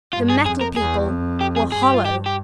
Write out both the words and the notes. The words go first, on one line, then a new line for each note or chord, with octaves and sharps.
The Metal People were hollow!
G2 F4
G#4
F2 G#4
A#4
E2 G#4
F2
G4
G#4
G2 G#4
G4
F4
G4
G4